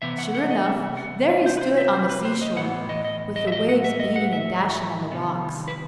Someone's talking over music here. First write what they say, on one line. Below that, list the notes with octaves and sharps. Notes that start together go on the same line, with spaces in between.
Sure enough, there he stood on the sea-shore, with the waves beating and dashing on the rocks.
C3 E3 B3 E5
F#5
F#5
D#5
E5
F#5
E5
C5
B4
C5
E5
C5
B4
C5
D#5
A2 E3 B3 F#5
D#5
D#5
D#5
E5
D#5
F#5
E5
D#5
F#5
E5
C3 D#3 G3 B3
B4